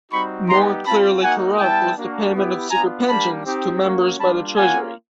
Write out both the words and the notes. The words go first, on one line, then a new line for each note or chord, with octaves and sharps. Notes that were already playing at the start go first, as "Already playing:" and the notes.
More clearly corrupt was the payment of secret pensions to Members by the Treasury.
G3 C4 D#4 F#4 B5 C#6
G3 B3 D#4 G4 A#5 C6
C4 F4 A5 B5
A#3 D#4 F#4 F#5 G#5
G3 B3 E4 G5 A5
A#3 D4 F#4
B3 E4 G4
B3 D4 F4 G#5 A#5
G3 A#3 D4 G4 A5 B5
C4 D#4 G4
A#3 C#4 F#4
G3 A#3 D4 F4 A5 B5
A#3 C#4 F4 F#5 G#5